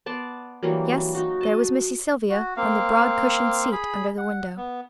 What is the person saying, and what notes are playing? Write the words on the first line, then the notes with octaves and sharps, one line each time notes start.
Yes, there was Missy Sylvia on the broad cushioned seat under the window.
B3 D5 A5 C6
E3 F#3 G3 A#3
D#4 F#4
D#5 A5
F#4
A#3 C4 F5
G#4 B5
F#5
B3